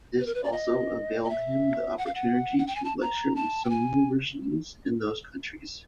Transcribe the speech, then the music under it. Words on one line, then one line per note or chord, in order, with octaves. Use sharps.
This also availed him the opportunity to lecture in some universities in those countries.
B4
A#4
B4
D5
D#5
D#5
E5
F#5
F5
F#5
F#5
G5
G#5
A5
A#5
A5
G5
G#5